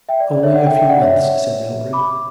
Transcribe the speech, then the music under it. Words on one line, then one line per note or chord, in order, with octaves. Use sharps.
'Only a few months,' said Mildred.
E5 G5
D5
D5
C#5 E5
D5 F#5
E5 G5
E5 G5
D5 F#5
C#5 E5
B5 D6